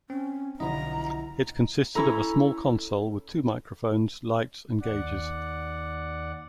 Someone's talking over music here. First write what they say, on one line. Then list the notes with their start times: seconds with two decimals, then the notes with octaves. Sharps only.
It consisted of a small console with two microphones, lights and gauges.
0.10 C4 C#4
0.60 B1 D3 F3 E4 D#5 F#5 A#5
1.95 C#4 E4 A4 A#5
4.81 D#2 D5 F#5